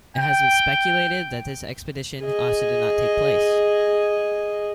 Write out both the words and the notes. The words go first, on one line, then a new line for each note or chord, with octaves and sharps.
It has been speculated that this expedition also did not take place.
G5
G#4 D#5